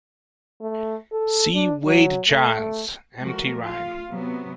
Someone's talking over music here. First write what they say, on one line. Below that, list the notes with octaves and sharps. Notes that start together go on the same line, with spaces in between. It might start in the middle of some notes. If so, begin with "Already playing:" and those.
See Wade–Giles → Empty rime.
A3
A4
D4
F#3
A3
F3 G#3 A3 F#4 A#4
F4 F5
C3 F#3 B3